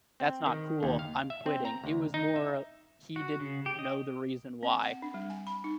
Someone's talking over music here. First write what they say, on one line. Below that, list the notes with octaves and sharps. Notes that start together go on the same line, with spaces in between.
that's not cool I'm quitting, it was more he didn't know the reason why.
C4
D#3
D#2
F5
E5
C4
A#5
D2
D#4
E5
F#4
C#3
G4
D#5
C4
F#5
D4
G3
G#5
B5
D#4